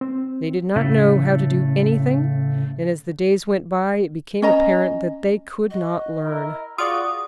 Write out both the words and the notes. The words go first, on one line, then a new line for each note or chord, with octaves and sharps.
They did not know how to do anything, and as the days went by it became apparent that they could not learn.
C4
A2 C#3 A3
C#4 D#5 A#5
F#4 D#5
E4 A#4
F4 F#4 G#4 D5 D#6